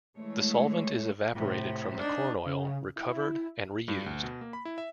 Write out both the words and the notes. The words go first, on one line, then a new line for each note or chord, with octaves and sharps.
The solvent is evaporated from the corn oil, recovered, and re-used.
E3 G#3 A3 C#5
A2 C3
D4 D#4
C#3
E4
G2
D2
B2
A#3
B5
E4
E5